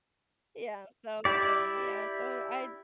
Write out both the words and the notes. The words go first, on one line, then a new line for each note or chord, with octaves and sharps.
Yeah, so, um, yeah, so, I'd
E4 G4 D5